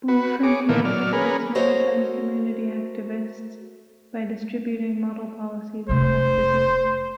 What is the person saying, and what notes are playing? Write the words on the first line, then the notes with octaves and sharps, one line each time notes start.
Blue Frontier supports maritime community activists by distributing model policies and practices.
F#4 B4
G#4 C#5 D6
A#2 D#3 E3 A3 A#3
F#3 D5 F6
C#4 G#4 A#4 B4
F#4 A4 A#4 C5 C#5 D#5
F1 C3 C5